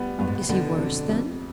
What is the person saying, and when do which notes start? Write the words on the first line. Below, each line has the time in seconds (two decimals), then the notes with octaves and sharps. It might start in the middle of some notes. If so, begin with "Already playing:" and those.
"Is he worse, then?"
Already playing: G3 B3
0.19 G2 B3
0.27 G#2
0.35 B2
0.41 C3
0.49 B2 D3 B3
0.78 F2
1.09 F2